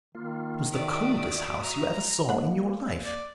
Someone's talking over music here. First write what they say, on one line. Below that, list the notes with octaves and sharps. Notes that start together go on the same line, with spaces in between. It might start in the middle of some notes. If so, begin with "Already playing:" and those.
It was the coldest house you ever saw in your life.
D#3 A#3 F4
F#4 D5 E5 D#6
A#5
D#3 A#3 F#5 B5
D5